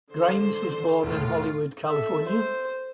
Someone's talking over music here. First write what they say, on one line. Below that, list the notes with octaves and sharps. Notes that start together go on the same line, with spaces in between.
Grimes was born in Hollywood, California.
D3 C5
E1 A2 F4
A4 E5
C5